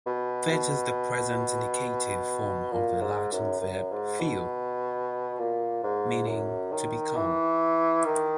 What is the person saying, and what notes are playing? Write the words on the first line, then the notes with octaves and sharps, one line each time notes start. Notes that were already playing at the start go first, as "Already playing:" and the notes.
'Fit' is the present indicative form of the Latin verb fio meaning 'to become'.
B2
B2
A#2
G#2
F#2
F#2
G#2
B2
A#2
G#2
F#2
D#3
E3
D#3